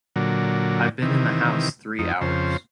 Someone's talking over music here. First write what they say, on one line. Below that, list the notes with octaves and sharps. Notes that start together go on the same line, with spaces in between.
I've been in the house three hours.
A#2 D3 F#3
C3 D#3 E3
F2 D#4
F2 C#3 C5